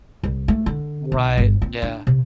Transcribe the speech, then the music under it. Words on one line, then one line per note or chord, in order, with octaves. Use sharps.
Right, yeah.
C2
A3
D3
B1
G1
C4
D4
C3